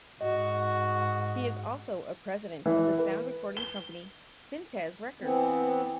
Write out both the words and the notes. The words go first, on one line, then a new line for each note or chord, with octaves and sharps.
He is also a president of the sound recording company Sintez Records.
G#2 F#4 D#5
E3
B4
G7
E3 B3 C4